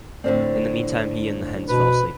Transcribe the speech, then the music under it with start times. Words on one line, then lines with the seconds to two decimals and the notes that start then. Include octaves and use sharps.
In the meantime, he and the hens fell asleep.
0.24 A2 D3 C4 C5 D5
1.68 B2 B4